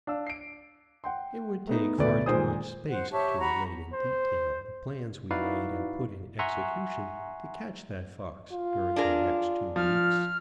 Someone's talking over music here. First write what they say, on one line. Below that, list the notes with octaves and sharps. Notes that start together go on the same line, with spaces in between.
It would take far too much space to relate in detail the plans we laid and put in execution to catch that fox during the next two weeks.
D4 F5 E6
C7 D7
F#5 G5 C6
A3 B3 D#4
D2 B2 A3 B4 D5
A#2 D#3 G#3 C5 G#5 D#6
C5 F#5
G4 C#5 E5 A5
F#4 A#5 B5
C5
D#4 E4 F#4 B4 D5 F5
E5 F#5 G#5 A#5 C6 C#6
F4
D4 G#4 A#4
F3 F6